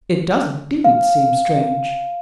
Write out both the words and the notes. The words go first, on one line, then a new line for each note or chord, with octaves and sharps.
"It does indeed seem strange."
F5